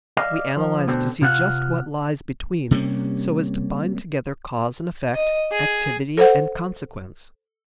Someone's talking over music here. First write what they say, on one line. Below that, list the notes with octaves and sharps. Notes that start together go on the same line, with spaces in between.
We analyze to see just what lies between so as to bind together cause and effect, activity and consequence.
D5 D#5 F5
F3
D2 B2 D3 C4
C3 F4 F#5
C3 G3 A#3 C#4
D#5
G#4
A4 C5 F#5